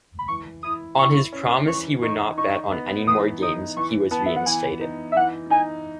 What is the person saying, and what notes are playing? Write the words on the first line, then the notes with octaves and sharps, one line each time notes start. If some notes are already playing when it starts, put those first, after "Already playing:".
On his promise he would not bet on any more games, he was reinstated.
B5
E3 C#6
E4 D#6
E4 C#6
C#4
E3 C#6
D#4 C#6
D#4 C#6
B3
E3 D#6
D#4 D#6
E3 C#6
B3 A5
E5
F#5
E3 G#5
D#4
E5
E3 F#5
D#4 G#5